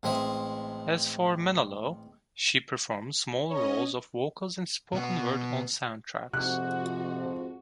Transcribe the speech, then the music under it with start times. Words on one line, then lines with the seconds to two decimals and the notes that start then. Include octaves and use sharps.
As for Menelaus, she performed small roles of vocals and spoken-word on soundtracks.
0.03 A1 G#3 C4 D#5 E5
3.50 C#4 C#5 D#5
4.93 B2 B3 F#5
6.34 F2 G#2 C3 F3 F#4 F#6